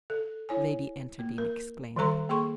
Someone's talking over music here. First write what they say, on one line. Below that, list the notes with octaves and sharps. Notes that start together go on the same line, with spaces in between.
Lady Enterdean exclaimed.
A4
E4 C#5 G#5
A#3
A#4
D#3 E3 G3 A4 A#5 C6
A#3 G#4 C6 C#6